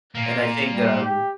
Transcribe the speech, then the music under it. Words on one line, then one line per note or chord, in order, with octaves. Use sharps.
And I think, um
A#2 A#3
G3
G4